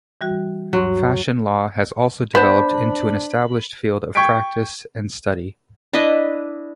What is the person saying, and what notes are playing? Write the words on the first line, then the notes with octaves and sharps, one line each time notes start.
Fashion law has also developed into an established field of practice and study.
E3 G3 F#4
D2 G2 F#3 C6
B3 D4 B4 C5 A5 B5
G5 C#6 G6 G#6 B6 D7
D4 E4 B4 D#5